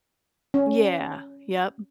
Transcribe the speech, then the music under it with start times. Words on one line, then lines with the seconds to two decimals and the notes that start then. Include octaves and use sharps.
Yeah. Yep.
0.54 C#4